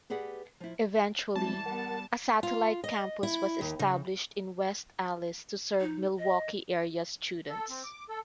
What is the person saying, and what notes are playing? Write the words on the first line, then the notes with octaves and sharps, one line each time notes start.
Eventually a satellite campus was established in West Allis to serve Milwaukee area students.
G4 G#4 B4 D5 F#5
F3 E4
E3 G3 G#3 C4 A5
G3 B3 A#4 F#5
F4
D#5
E4
D#2
C#3
D#4
D#5
A4
C4
D6
A4